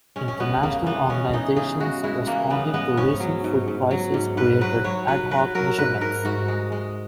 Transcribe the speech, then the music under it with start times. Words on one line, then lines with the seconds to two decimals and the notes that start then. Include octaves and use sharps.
International organizations responding to recent food crises created "ad hoc" measurements.
0.16 G#3 C#4
0.28 C#4
0.40 G#3 B3
0.63 C#3 A#3
0.86 E3 B3
1.09 G#3 C#4
1.33 E3 D#4
1.56 C#3 G#4
1.80 G#3 F#4
2.04 G#3 E4
2.26 E3 A#3
2.50 C#3 B3
2.74 G#3 B3
2.97 G#2 C#4
3.20 F#3
3.44 G#2
3.68 G#2
3.91 F#3
4.14 G#2
4.37 G#2 B4
4.61 F#3 B4
4.84 F#3 C#5
5.08 F#3 B4
5.31 F#3 B4
5.55 F#3 A#4
5.78 G#2 B4
6.01 G#2 A#4
6.25 G#2 F#4
6.48 G#3
6.72 G#3